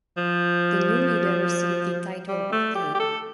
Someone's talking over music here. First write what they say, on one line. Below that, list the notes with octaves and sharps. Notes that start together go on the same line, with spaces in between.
The new leader received the title of dey.
F3
G3
A3
G4
G4
A4